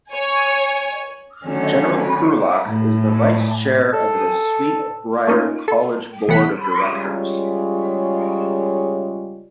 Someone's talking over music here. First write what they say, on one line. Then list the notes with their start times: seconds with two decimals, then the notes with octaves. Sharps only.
General Krulak is the Vice Chair of the Sweet Briar College Board of Directors.
0.11 C#5 G#5
1.46 D3 D#3 F#3 A3 C#4
2.68 A2
3.93 A4
5.27 A3 A#3 C#4 D#4 F4
5.68 A4
6.28 C2 E3 B3 F#5 B6
6.82 C#3 G3 G#3 F4 C#5